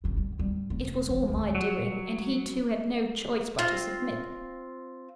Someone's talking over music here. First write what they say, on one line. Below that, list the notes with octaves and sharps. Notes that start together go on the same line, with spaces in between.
It was all my doing, and he too had no choice but to submit.
G1 C#3
G3
G#2 G3
F1
E3
D#2 D#3
F#3
C4 F4